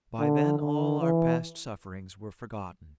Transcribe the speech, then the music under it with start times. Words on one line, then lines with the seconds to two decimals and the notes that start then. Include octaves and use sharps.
By then all our past sufferings were forgotten.
0.20 D3
0.60 D3
1.00 E3